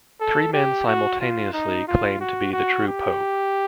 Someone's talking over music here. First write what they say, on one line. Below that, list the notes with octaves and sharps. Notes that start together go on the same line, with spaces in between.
Three men simultaneously claimed to be the true pope.
A4
G4
F#4
F4
D#4
F4
F#4
F#4
G4